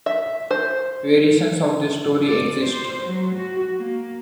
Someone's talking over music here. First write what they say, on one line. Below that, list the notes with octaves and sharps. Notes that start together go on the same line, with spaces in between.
Variations of this story exist.
E5
C5
D5
C5
F#3
F#4
A#3